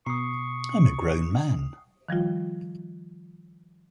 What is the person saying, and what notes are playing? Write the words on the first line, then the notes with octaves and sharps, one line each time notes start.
I'm a grown man.
B2 C#6 D#6 C7
D#3 F3 G3 F4